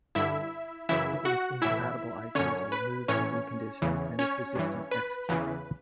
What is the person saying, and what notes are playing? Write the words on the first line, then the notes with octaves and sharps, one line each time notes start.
People with incompatible ideas are removed and reconditioned, and if resistant, executed.
G2 D3 E4 E5
F#2 C#3 E3 E4 E5
F#4 F#5
A2 E3 E4 E5
F#2 D3 C#4 C#5
B4
A2 E3 C#4 C#5
E2 C#3 E3
C#4 C#5
G2 E3
B4
E2 C#3 E3